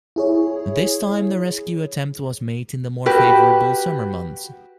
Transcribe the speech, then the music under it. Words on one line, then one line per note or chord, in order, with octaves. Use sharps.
This time the rescue attempt was made in the more favourable summer months.
E4 G#4 C#5
F#4 G4 B4